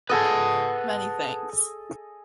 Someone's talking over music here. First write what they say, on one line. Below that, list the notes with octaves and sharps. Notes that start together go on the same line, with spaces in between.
Many thanks.
G#4 A4 B4 D#5 F#5 A5